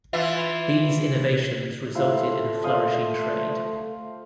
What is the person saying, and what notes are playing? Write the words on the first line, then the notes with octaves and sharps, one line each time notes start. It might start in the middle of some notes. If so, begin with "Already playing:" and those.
These innovations resulted in a flourishing trade.
E3 E4 F4
A3 E4 F4 C5
C5 F5 D#6